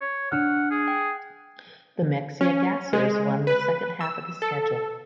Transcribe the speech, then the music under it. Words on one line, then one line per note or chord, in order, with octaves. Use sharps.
The Mexia Gassers won the second half of the schedule.
C#5
D4 F#5 F6
G#4
G5
C#4
G#3
B4
E6
A4